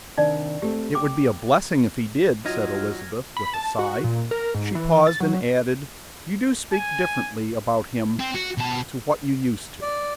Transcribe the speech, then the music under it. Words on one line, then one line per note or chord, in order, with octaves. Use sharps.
"It would be a blessing if he did," said Elizabeth with a sigh. She paused and added: "You do speak differently about him to what you used to."
C3 D#3 D4 D#4 D5
A3 C4 G4
G5 D6
F#3 D#4 F4 F6 G#6 A#6
B5
A5
F#4
A#2
A#4
G#2
E3
A6
F#3
G#5
C4
F#4
B2 A5
D5